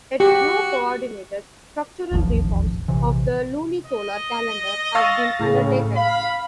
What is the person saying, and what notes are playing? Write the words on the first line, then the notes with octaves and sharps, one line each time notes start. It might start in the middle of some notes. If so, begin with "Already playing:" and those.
Yet no coordinated structural reforms of the lunisolar calendar have been undertaken.
F#4 G4
E1 A1 D#2 F3
A#1 C3 E3
D#5
F5 C#6 E6 A6 A#6
A2 C#3
F5 B5